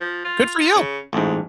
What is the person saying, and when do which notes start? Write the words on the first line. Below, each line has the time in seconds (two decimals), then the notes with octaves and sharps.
Good for you.
0.01 F3
0.25 F4
0.60 F4
0.75 C#3
1.13 A1 F2 G#2